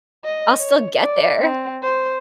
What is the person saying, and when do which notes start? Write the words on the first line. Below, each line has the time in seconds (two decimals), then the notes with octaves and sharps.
I'll still get there."
0.24 D#5
0.59 C#5
0.99 D5
1.41 C4
1.82 C5